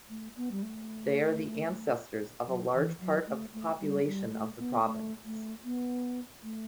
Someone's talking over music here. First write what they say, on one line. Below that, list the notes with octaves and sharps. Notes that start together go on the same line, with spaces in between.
They are the ancestors of a large part of the population of the province.
A3
B3
G3
A3
F#3
E3
F#3
A3
A3
G3
G3
A3
B3
A3
A3
B3
A3